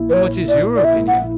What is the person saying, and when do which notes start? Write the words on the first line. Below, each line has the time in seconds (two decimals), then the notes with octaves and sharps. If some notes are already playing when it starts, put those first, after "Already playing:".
"And what is your opinion?"
Already playing: A#1 A#2 A#3 E4
0.09 B4
0.13 C#5
0.48 D5
0.76 D5
0.84 E5
1.08 F#5